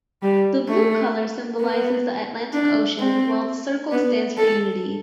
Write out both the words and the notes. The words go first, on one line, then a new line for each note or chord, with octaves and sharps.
The blue colour symbolizes the Atlantic Ocean, while the circle stands for unity.
G3
A3
B3
D4
C4
B3
A4